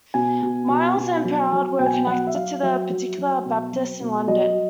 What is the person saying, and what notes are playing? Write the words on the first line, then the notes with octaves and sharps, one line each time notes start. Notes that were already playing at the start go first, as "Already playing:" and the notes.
Myles and Proud were connected to the Particular Baptists in London.
B2 G#5
B2
B2
B2
F#3
F#3
B2 G5
G#5
G5
F#3 F#5
E5
F#3 F5
F#3 E5
F#3
F#3
B2
F#3
B2
F#3 D#5